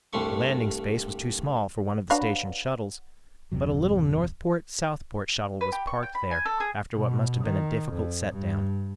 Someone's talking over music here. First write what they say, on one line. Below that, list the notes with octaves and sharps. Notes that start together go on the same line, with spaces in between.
The landing space was too small for one of the station shuttles, but a little Northport-Southport shuttle was parked there after what must have been a difficult set-down.
C2 G2 G3 A3 C6 C#6
F#3 D4 B4 F5
G1 E2 C3 F#3
B4
G4
C#6
G5
B5
G#5
A4
G#4
B2
D#3
F2
G2